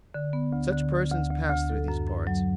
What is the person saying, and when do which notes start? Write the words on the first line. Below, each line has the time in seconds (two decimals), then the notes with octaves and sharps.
Such persons pass through these parts.
0.14 D3
0.33 B3
0.53 D2
0.72 D3
0.92 D2
1.11 D2
1.30 D2
1.50 D2
1.69 A4
1.88 F#2
2.08 F#2
2.27 F#3